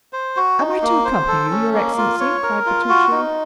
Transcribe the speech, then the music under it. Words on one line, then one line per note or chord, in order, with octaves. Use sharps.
"Am I to accompany you, your excellency?" cried Bertuccio.
C5
F#4
D#4
A#3
C5
A4
C#4
A#3
F4
C#5
A#4
F4
F#4
D#4